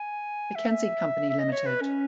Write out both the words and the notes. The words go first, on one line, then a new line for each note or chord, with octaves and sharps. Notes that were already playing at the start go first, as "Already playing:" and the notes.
McKenzie Company, Limited.
Already playing: G#5
E5
E5
D#5
C#5
B4
C#4